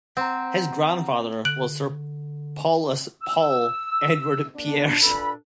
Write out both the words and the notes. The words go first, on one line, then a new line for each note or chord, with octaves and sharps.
His grandfather was Sir Paulus "Paul" Edward Pieris.
C4 F#5 A#5
D3 F#6 D7 F#7
E6
D4
G2 A#2 D4 A4 B5